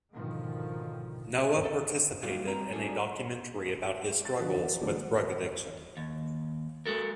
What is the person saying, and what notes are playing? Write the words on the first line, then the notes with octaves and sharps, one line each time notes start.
Noah participated in a documentary about his struggles with drug addiction.
G#2 B2 D3 D#3 F3
A4
F#3 G3 A#3 D#4 F4 F#4
G3 C4 A#5
G3 D4 D#4 F#4 G#4 A4
A6
D3 F3 F#4 B4
E2
D3 E3 F#3 G#3 A3 B3
D#2
G#3 F#4 A4 A#4